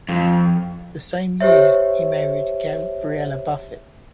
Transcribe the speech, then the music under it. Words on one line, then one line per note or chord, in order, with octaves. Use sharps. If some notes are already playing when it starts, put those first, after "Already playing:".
The same year, he married Gabrielle Buffet.
F2
G4 C5 C#5 E5